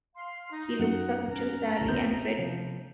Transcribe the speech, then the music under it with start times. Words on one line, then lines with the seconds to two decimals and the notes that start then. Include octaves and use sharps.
He looks up to Sally and Fred.
0.16 F5 C6
0.52 D#4
0.79 F#2 D#4 F#5
1.28 C#4 A#5
1.88 B3 C4 G6
2.38 C3 F3